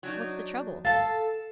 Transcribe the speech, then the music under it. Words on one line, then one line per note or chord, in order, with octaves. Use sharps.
'What's the trouble?
F#3 D4 D#4
A4 F5 A5 A6